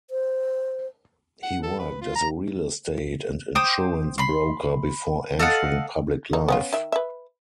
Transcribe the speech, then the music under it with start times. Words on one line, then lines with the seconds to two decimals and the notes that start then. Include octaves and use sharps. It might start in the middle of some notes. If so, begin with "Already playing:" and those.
He worked as a real estate and insurance broker before entering public life.
0.10 C5
1.43 F#5
1.63 A4
1.79 B4
2.01 F4
2.15 A#5
3.55 C5 G5 D6 D#6
4.18 B5 C6
5.39 A4 D#5 F5 F#5
6.33 D#4 A4
6.48 B3 C#4 F4
6.73 D#3 E5
6.92 B4 E5